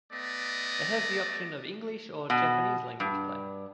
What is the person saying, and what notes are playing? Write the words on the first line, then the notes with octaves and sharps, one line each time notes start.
It has the option of English or Japanese-language play.
A3 B3 D5 D#5
B2
G2